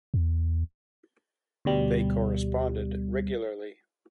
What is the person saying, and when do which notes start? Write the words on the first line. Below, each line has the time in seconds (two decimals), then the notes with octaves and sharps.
They corresponded regularly.
0.14 E2
1.65 D2 B2 G3